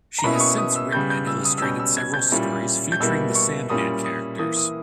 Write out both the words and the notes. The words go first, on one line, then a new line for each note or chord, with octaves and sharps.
She has since written and illustrated several stories featuring the Sandman characters.
A#5
B2 A#3 C#4 E4 B5
D#6
C#6
D#6
E6
C#3 G3 B3 G6
G6
E6
D#6
E6
B2 G3 C#4 G6
E6
G#6
G6
A#2 G3 C#4 E4
G6
B2 G3 A#3 E4 E6
C#6
A#2 G3 A#3 C#4 E4 D#6
D#6
E3 A#3 E4 D#6
D#6